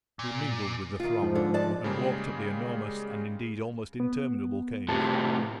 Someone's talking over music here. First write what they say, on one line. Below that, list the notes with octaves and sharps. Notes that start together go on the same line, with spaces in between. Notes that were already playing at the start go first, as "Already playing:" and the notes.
We mingled with the throng, and walked up the enormous and, indeed, almost interminable cave.
A#2
D#3 F4
G#2 F3
D3
G#3 D5 A5
C#3 G3 G#3 A#3
B3
A2 C3 A5